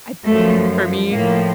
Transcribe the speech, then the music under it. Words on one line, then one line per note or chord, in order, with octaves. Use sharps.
I'd d for me
F#2 F3 A3
A2 F3 A#3